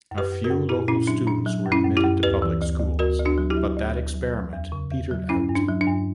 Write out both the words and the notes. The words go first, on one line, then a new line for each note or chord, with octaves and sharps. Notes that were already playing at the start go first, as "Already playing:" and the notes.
A few local students were admitted to public schools, but that experiment petered out.
F#2
G4 B4
F#2
F#4 A#4
F#2
A#2 E4 G4
A#2 C#4 E4
F#3 D4
A#2 D4
F#3
F#2
C#4 E4
F#2
E4 G4
F#2
D2 G4 B4
E3
D2
D2
D2 F#4 A#4
D2
D4 F#4
F#3
E4 G4
F#3
D2
D2
F#3
F#3
E2
C#3
E2
F#3
G2 C#4 E4
G2
D4
F#3
D4
G2